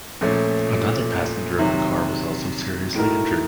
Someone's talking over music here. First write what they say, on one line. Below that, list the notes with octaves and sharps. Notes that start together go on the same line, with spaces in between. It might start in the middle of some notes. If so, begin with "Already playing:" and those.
Another passenger in the car was also seriously injured.
A#2 F3 A3 C#4
C3 D#3 F#3
A2 A3 D#4 F#4 A#4